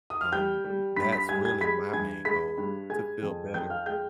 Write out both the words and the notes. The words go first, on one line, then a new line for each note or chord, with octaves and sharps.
um, that's really my main goal, to feel better.
D#6
F6
G3 G5 G6
G3
G2 B5 B6
B5 B6
G3 G#5 G#6
G#5 G#6
G#3 B5 B6
G2 G#5 G#6
G#3 B5 B6
G2
G#3 G#5 G#6
F2
F2 G5 G6
F5 F6
G#3 G5 G6